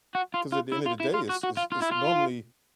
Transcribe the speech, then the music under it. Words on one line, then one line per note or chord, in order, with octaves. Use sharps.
'Cause at the end of the day, it's it's it's normally
F#4
F4
F4
E4
F4
E4
F4
F#4
F#4
F4
F4
E4
F4